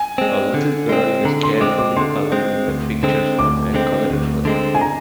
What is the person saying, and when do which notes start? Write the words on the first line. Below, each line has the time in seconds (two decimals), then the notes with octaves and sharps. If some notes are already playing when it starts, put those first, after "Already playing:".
A little girl is carefully coloring in the pictures of a coloring book.
Already playing: G#5
0.18 G#3 C4
0.54 D3
0.89 G#3 C4
1.25 D3 A#5
1.43 C6
1.60 G#3 C4 D6
1.79 D6
1.96 D3 C6
2.32 G#3 C4
2.67 D2
3.03 D3 G#3 C4
3.39 D2 D6
3.74 D3 G#3 C4
4.10 D2
4.45 D3 G#3 C4
4.75 G#5
4.81 A#5